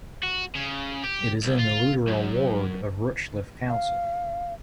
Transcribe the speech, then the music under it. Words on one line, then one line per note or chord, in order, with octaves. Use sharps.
It is in the Lutterell ward of Rushchliffe Council.
F#4
C#3
G4
C2
F4
F#2
F5